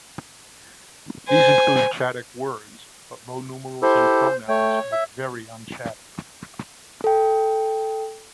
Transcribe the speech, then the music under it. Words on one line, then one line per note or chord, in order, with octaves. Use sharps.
These include Chadic words, but low numerals and pronouns look very un-Chadic.
C5 G#5
E4 G4 A4 C5
A3 C#5 G5
E5
A4 G5